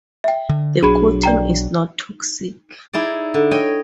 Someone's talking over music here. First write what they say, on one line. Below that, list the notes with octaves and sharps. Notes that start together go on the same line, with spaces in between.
The coating is not toxic.
E5 G5
D3
B1 F#3 D4 G#4 B5 G#6
D5 G5 A#5
D#4 E4 G#4 D5
D3
C#5 D#5 G5 G#5